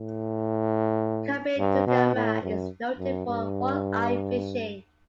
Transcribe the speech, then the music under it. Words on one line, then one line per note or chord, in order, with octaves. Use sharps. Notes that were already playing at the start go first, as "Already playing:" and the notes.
Kabetogama is noted for walleye fishing.
Already playing: A2
G2
B2
A2
F#2
F#2
G2